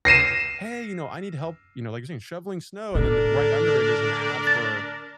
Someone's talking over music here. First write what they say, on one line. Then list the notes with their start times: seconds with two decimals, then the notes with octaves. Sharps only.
"Hey, you know, I need help," you know, like you're saying, "shoveling snow," and then the right under it is an ad for,
0.05 A#6 C7 D#7 E7
2.95 A2 D3 D4 A4 A#4 D5
4.47 A6